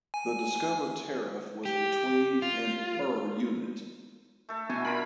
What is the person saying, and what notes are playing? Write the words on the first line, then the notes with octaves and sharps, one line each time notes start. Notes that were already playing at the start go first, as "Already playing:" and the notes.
The discovered tariff was between and per unit.
G#5
G4
F4
A3 A4
B2 E3 B3 G#5
D4 F4 A#4 B5